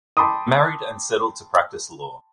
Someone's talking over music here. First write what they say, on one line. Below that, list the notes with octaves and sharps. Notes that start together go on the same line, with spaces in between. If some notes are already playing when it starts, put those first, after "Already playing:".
He married and settled to practice law.
G5 A5 B5 C6 D6 D#6